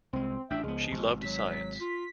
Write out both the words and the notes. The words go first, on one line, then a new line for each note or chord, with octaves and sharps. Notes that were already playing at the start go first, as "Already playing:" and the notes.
She loved science.
C2 G#3 C4
A1 D4 E5 G5
C#2 F3 G#3 B3
G#1
F#3 B6
F4